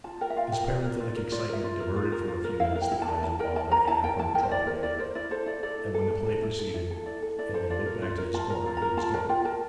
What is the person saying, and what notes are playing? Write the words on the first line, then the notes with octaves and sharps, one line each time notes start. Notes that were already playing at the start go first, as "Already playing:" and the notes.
This parenthetic excitement diverted for a few minutes the eyes of Bob and Anne from the trumpet-major; and when the play proceeded, and they looked back to his corner, he was gone.
F4 A5
A#4 G5
E5
F4 F5
A#4 G5
F4 D5
A#4
F4
A#4
F4 D5
A#4 E5
F4
A#4
F4
A#4
F4
A#4
E4 F5
A#4
G5
E4
A5
A#4
E4 A5
A#4 G5
E4 A5
A#4 A#5
E4 A5
A#4 G5
E4 A5
A#4 G5
C5
E4 D5
A#4 C5
E4 D5
A#4 C5
E4 D5
A4 C5
E4 D5
A4 D5
E4
A4
E4
A4
E4
A4
E4
A4
E4 D5
A4
E4 D5
A4 C5
F4 D5
A#4
F4 E5
A#4
F4 A5
A#4 A#5
F4
A#4 A#5
F4 A5
A#4 A5
F4 G5
A#4 A5